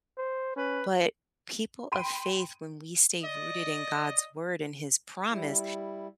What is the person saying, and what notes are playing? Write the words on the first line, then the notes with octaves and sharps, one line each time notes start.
But people of faith, when we stay rooted in God's word and His promise,
C5
C#4 B4
G5 B5 C6 D7 D#7
D5 D#5
G3 E4